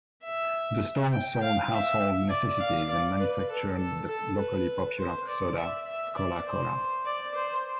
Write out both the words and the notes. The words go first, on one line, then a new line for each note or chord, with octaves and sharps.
The store sold household necessities and manufactured the locally popular soda, Kohlah Cola.
E5
G5
F5
E5
D5
F5
D5
B4
A4
A4
A4
B4
C5
D5
E5
E5
D5
C5
D5
C5